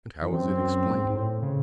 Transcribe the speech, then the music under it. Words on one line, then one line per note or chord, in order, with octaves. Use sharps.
"And how is it explained?"
E2
F#2 C4
F#2
G#2
G#2
A2
C#3